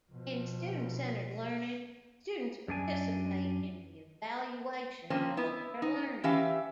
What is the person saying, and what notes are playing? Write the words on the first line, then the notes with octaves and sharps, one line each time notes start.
In student-centered learning, students participate in the evaluation of their learning.
B2 F3
F#2 D4 G#5
F3 A#3 C4 C#4
B3 E4
D#4
E3 C#4 G4 E5 F5